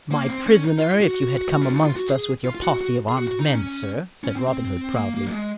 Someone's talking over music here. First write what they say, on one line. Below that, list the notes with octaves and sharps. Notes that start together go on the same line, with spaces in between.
"My prisoner if you had come amongst us with your posse of armed men, sir," said Robin Hood proudly.
A#3
C4
C#4
D#4
F4
F#4
F#4
C#4
D#4
F4
F#4
G#4
F4
F4
F#4
F#4
G#4
F#4
F#4
D#4
C#4
C#4
C4
C4
A#3
A#3
F#3
G#3